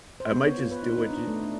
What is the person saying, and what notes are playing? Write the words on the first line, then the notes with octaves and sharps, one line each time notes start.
I might just do it j
C5
B3
C#5
F4
B4
D#4
D#4
D4
A3
D4